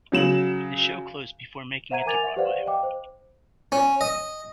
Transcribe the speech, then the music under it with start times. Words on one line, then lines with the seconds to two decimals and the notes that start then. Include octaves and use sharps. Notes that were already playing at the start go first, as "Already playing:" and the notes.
The show closed before making it to Broadway.
0.12 C#3 F#3 E7 F#7
1.91 C5 E5 F#5 A#5 G#6 D#7
2.06 A#4 G#5 D6 G#6 A6 F7
2.23 E5 F#5
2.37 G4 B4 C5 D5 F5 F#5
2.66 D#5 F5 G5 D6
2.83 C5
3.72 C#4
4.01 D#5